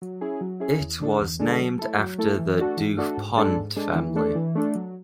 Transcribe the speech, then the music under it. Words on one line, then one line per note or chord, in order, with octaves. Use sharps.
It was named after the Du Pont family.
F#3
C#4 E4 G#4
F#3
C#4 E4 G#4
E2
D3 G#3 D4 A4
E2
D3 G#3 D4 A4
F#3
A3 E4 A4
F#3
A3 E4 A4
E3
A3 D4 F#4 A4
E3
A3 D4 F#4 A4
G#2
G#3 D4 A4
G#2
G#3 D4 A4
E3
A3 D4 A4
E3
A3 D4 A4
F#3